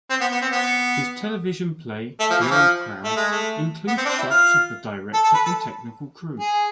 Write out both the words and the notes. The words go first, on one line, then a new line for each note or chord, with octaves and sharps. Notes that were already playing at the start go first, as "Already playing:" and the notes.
His television play "The Old Crowd" includes shots of the director and technical crew.
C4
B3
B3
C4
B3
A3
F3
E3
F3
A3
G#3
A3
B3
C4
D4
C4
E4
F4
A4
A4
B4
A4
G#4